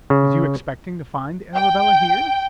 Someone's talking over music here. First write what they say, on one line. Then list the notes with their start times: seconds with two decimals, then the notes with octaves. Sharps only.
"Was you expecting to find the Arabella here?"
0.10 C#3
1.55 G5